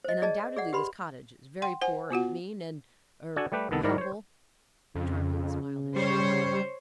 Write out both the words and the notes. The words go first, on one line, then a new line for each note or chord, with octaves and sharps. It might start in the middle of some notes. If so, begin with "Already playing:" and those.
"And, undoubtedly, this cottage is very poor and mean, and--er--humble?" Charmian smiled and shook her head.
C5 D#5
G#4 D5 D#5 A5
G#4 D5 F#5
G4 B4 B5 C6
F#5 G5 C6
C5 F#5 G#5
B3 F4 F#4 F#5
D4 F#4 A4 F#5 G#5
G3 A3 G4 B4
C2 D#3 B3 A4
G#2 D#3 E4 A#4 D5 A#5
C5 C#5
F2 C#3
G3 C5 C#5